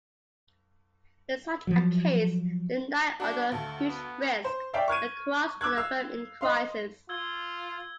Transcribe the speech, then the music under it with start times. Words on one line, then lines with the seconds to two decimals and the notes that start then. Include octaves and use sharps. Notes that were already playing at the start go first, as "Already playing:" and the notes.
In such a case, the knight, under huge risk, acquires the firm in crisis.
1.67 F3 F#3
3.20 D4 F#4 F#5
3.52 D2 A3 F5 A5
3.88 B3
4.44 C5
4.73 C#5 D5 E5 F5 G5
4.88 C#6 F6 G#6 D#7
5.61 D6 E6 F#6 G#6
5.77 F5 E6
6.41 D#5 F5 C6
7.09 F4 E6 G#6 G7